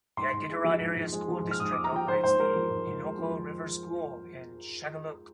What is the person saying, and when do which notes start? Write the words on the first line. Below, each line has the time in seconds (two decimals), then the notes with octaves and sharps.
The Iditarod Area School District operates the Innoko River School in Shageluk.
0.17 G#2 C6
0.33 G#2
0.49 G#3
0.64 F3
0.81 G#2
0.96 G#2
1.13 G#3
1.28 F3
1.44 G#2
1.51 F6
1.60 G#2 D#6
1.72 D6
1.76 G#3
1.84 A#5
1.92 F3 G5
2.08 G#2 C5
2.24 G#2 C5
2.40 G#3 A#4
2.56 F3
2.71 G#2
2.87 G#2
3.03 G#3
3.19 F3